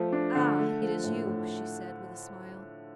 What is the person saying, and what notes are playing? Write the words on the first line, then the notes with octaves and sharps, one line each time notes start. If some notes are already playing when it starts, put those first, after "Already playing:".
"Ah! it is you," she said, with a smile.
Already playing: F3 A3
D4
D3
A3
F3
A2
A2